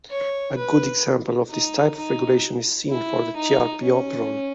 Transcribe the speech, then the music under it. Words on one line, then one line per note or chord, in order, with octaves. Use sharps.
A good example of this type of regulation is seen for the trp operon.
C#5
B4
D#4
D#4
E4
D#4
C#4